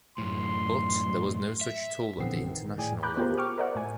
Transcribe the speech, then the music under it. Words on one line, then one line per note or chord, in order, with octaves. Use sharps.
But, there was no such tool at the international level.
F#2 A2 C6
E5
A#1 D3 E3 B3 C4 C7
D#3
A2 G#4 D5 G5 G#5
A#5 B5 D6 F#6 G6
B3 F4 G4 G#4 A#4 C5
G5 C#6 D6 F6
A#4 C5 D5 E5 F#5
A2 G#5